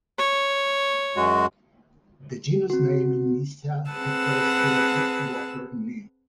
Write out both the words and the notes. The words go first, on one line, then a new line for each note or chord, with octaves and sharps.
The genus name "Nyssa" refers to a Greek water nymph.
C#5
F#2 G#3 F#4
C4 F#4
C4 G#4 B4 F#5 A5 E6